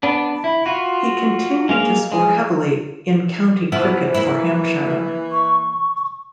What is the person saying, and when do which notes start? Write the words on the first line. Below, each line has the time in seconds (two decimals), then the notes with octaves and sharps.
He continued to score heavily in county cricket for Hampshire.
0.03 B3 D4
0.44 E4
0.66 F4 F#4
1.69 G#3 A#3 F5
2.12 G#3
3.72 E3 F3 B3 E4
4.14 A#3 E4
5.31 C#6